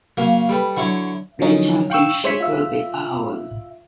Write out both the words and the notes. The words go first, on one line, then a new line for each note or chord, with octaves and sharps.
The championship will be ours!
C#3 F#3 A#3
G3 A4 B4
D3 F#3 E4 C#5
D3 F3 F#3 C#4 D#4 A#4
F5 G5 C#6 E6
G#3 C5 C#5 E5 C#6 B6
F4 E5